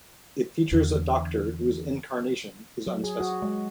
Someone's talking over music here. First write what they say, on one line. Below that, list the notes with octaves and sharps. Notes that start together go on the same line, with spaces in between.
It features a Doctor whose incarnation is unspecified.
E2 D3
F#3
G#4
F#4
G#3